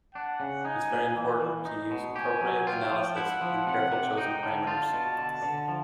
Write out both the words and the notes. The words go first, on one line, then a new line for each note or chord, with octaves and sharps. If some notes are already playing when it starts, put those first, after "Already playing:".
It is very important to use appropriate analyses with carefully chosen parameters.
D4 F#5
C#3
D#4 G#5
A#2
E3
E3
D#4
B2
G4 G#5
F#3
F4 G5
F3
E4 F#5
F3
C3 F#5
C3
D#4 G5
D3
F4 A5
B2
D3
D3
F3